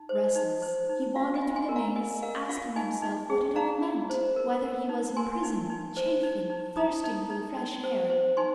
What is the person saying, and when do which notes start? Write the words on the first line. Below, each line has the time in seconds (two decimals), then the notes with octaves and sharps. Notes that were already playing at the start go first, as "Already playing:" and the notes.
Restless, he wandered through the maze, asking himself what it all meant--whether he was in prison; chafing, thirsting for the fresh air.
Already playing: D#4
0.09 C5
0.15 D#5
0.35 D#4
0.62 C5
0.89 D#4
1.16 F4 F5
1.35 D#5 G#5
1.42 F4
1.56 G#5 C6
1.69 A#4
1.76 F5 A#5
1.96 A#4 D#5 G#5
2.23 A#4 F5
2.49 F4 F5
2.76 D#4 D#5 G#5
3.02 D#4
3.30 G#4
3.56 D#4 F5 A#5
3.83 D#4
4.10 C5
4.36 A#4
4.63 A#4
4.89 D#4
5.16 A#4 G#5 C6
5.43 D#4
5.70 D#4
5.97 C5
6.23 D#4
6.50 D#4
6.77 D#4 A#5 D#6
7.04 D#4
7.30 D#4
7.57 D#4
7.84 C5
8.10 C5
8.37 D#4 G#5 C6